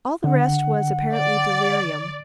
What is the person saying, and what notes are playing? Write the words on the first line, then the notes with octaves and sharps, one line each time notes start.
All the rest was apparently delirium.
D3 F#5
D5